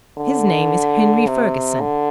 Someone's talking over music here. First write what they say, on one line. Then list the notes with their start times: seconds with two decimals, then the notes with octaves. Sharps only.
His name is Henry Ferguson.
0.18 D3
1.27 C3
1.80 D3